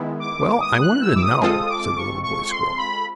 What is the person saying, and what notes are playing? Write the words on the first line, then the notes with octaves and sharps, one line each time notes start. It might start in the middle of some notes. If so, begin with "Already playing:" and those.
"Well, I wanted to know," said the little boy squirrel.
Already playing: D#3 G#3 B3 E4
D6
D#6
F#6
E6
D6
D#6
G#3 C4 F4 A4 D#6
D6
C#6
C#6
C6
B5